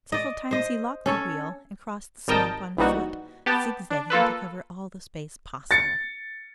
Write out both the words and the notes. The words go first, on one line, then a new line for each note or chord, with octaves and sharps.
Several times he locked the wheel and crossed the swamp on foot, zigzagging to cover all the space possible.
D5 D#5
C5 D#5
C#4 A4 C#5
G#1 G3 A#4 D#5 G5 A5
A#1 E3 G3 D#4 F#4
B3 G4 A5
D4
A#3 F4 A4 B4
A6 C#7